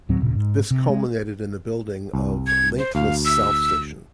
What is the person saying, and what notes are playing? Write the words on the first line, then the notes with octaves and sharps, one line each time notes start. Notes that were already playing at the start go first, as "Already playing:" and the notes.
This culminated in the building of Llynclys South station.
D2 A2 F#3 C4
D#1 A#2 C#3
G#2
C3
G#3
C2
G#6
C5
D2 F5
E6